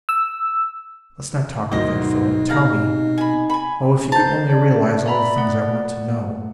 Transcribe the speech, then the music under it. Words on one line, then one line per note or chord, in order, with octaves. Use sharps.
Let's not talk of that. Philip, tell me--oh, if you could only realize all the things I want to know.
E6
D2 B2 D#3 F#3 B3 E4 C5 D#5
D#4
C3 G#4 F5 A#5
G#5 B5
G#5 B5
C5 A5 A#5 G6
C#5 D5
E5 A#5 B5
A3 F#5